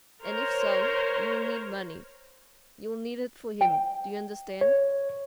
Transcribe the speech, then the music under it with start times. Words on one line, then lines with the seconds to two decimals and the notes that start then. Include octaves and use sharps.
And if so, you'll need money. You'll need it for him, do you understand?
0.24 A#4 C5 C#5
3.61 G5
4.61 C#5